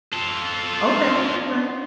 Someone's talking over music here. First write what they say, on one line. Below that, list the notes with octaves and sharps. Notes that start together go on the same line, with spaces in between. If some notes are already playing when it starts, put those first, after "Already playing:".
Okay, alright.
F4 A4